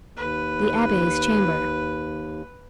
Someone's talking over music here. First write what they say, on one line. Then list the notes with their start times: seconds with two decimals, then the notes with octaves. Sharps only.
The Abbe's Chamber.
0.17 D#2 B4